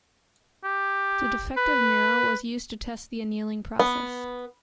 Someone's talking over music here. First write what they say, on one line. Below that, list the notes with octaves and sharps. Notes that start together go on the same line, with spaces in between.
The defective mirror was used to test the annealing process.
G4
B4
B3